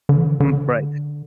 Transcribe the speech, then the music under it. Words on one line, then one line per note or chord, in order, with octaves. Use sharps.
Hmm, right.
D3
E3
D3
D3